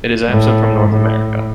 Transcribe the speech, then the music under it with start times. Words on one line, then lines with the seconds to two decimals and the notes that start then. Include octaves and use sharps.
It is absent from North America.
0.29 A2
0.88 A2